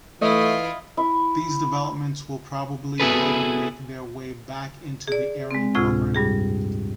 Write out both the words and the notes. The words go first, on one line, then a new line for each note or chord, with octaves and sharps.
These developments will probably later make their way back into the Ariane programme.
E3 A3 E4 F4 D#5
E4
B3 E4 F#4 G#4 A4 B4
G#4 D5
G#3 C4
D2 A2 C3 F4 G#6
G2 G3 G#4